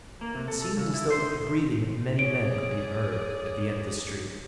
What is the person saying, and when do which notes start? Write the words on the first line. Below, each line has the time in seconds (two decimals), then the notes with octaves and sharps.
It seemed as though the breathing of many men could be heard at the end of the street.
0.21 A#3
0.35 C3
0.48 A4
0.62 A4
0.77 C#3
0.94 E4
1.11 C5
1.26 D#4
2.19 G#4 C#5 D5 D7